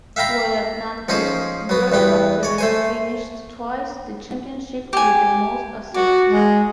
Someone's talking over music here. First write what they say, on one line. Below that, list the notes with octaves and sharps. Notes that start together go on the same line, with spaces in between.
While at Nantes, Vercauteren finished twice the championship with the most assists.
E5 F5 G5 A#5 B5
F3 C#4 D#4 G#4 C5
F#3 B3
E2 G2 B3 G5
C#5 D5
A3 C5 G#5
G4 G#5
F#4 D5
G#3